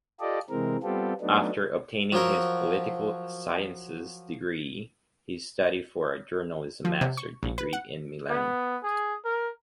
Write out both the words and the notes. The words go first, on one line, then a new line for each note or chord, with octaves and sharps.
After obtaining his Political Sciences degree, he studied for a Journalism Master Degree in Milan.
F4 G4 A4 D5 D#5
C3 E3 G#3 C4 A#4
G3 B3 C4 F4 G4 A4
F#3 A3 B3 D4 D#4
F3 F#3 A#4
F3
C3
C#6
A#1
B4
F#5
B3
G#4
A#4